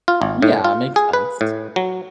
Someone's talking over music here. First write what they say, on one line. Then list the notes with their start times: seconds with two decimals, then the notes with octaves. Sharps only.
Yeah, makes sense.
0.08 F4
0.22 G#1
0.42 A2
0.64 F4
0.96 G#4
1.13 B4
1.41 A2
1.76 F#3